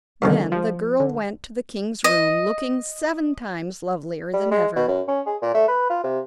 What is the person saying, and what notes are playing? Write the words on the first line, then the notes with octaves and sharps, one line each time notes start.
Then the girl went to the king's room looking seven times lovelier than ever.
G2 B2 D3 D#3 C#4 A#4
F3
D3
D#5
G3
G#3
B2
F#2
C#4
G#4
A#2
A3
B4
F4
C3